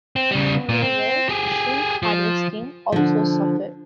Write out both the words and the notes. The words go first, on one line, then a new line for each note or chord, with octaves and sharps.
Moreover, shrimp harvesting also suffered.
C4
C#3 G3
A#2
C4
G4 G#4
F3
D3 F3